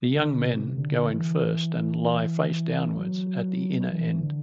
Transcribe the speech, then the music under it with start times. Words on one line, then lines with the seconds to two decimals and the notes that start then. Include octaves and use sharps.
The young men go in first and lie face downwards at the inner end.
0.16 D3
0.47 C3
0.77 D3
1.09 E3
2.96 F#3
3.89 E3
4.21 D3